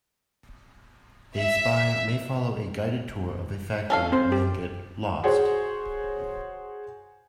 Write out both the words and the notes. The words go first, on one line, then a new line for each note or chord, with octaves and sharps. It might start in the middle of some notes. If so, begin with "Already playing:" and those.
A spy may follow a guided tour of a factory and then get "lost".
E5
C#4 A4 F5
C4 C5
G4
F#4 G#4 C5 C#5